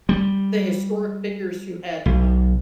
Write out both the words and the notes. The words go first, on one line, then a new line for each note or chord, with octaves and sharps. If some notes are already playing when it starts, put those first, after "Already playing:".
the historic figures who had, um,
G3
B1